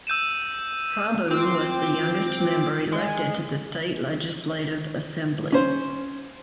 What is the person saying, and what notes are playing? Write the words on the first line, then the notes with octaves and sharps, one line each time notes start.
Prabhu was the youngest member elected to the State Legislative Assembly.
E6 G6 D#7 E7
C4 F4 D6
G#3
C#4 C5